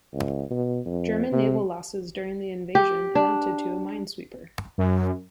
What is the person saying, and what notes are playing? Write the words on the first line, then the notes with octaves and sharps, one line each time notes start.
German naval losses during the invasion amounted to a minesweeper.
C#2
B2
F2
C3
G4
D4
F#2